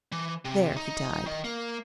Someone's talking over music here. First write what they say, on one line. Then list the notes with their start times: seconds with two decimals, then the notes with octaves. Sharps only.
There, he died.
0.12 E3
0.45 C3
0.77 D#4
1.26 D#3 D#5
1.44 A#3